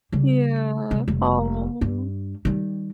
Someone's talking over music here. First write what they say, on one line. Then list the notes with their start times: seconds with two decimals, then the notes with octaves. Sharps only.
Yeah, oh.
0.12 C#3 G3
0.91 C2 G3
1.08 F1 G3
1.81 G2 G3
2.45 D#3 G3